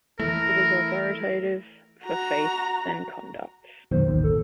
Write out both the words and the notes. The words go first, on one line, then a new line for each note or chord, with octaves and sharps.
It is authoritative for faith and conduct.
E3 A3 E4 A#4
F#4 A#5
F#2 B2 D#3 C5
A1 D#2
A4